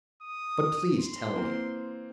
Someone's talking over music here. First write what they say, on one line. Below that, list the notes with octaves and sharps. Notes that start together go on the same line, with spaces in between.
"But please tell me."
D#6
C6
E3 A#3 C4